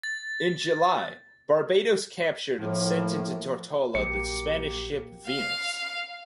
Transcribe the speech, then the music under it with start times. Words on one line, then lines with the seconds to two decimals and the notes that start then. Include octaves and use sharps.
In July "Barbadoes" captured and sent into Tortola the Spanish ship "Venus".
0.03 A6
2.57 A2 F3 A#3
3.95 A#1 F#3 A#3 G4 C#7
5.27 F5